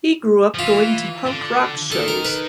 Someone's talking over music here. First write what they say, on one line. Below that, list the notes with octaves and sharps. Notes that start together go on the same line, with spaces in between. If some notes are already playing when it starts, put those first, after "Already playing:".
He grew up going to punk rock shows.
F3
E3 F4
D3
D#3 A4
A#4
B4